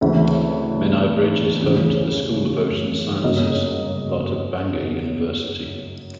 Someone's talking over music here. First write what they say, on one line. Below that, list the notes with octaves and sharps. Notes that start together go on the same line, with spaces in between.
Menai Bridge is home to the School of Ocean Sciences, part of Bangor University.
D2 C#3 E3 G#3 C4 E5
D2 C#3 E3
G1 F#2 C#3 F#3 A#3 D#5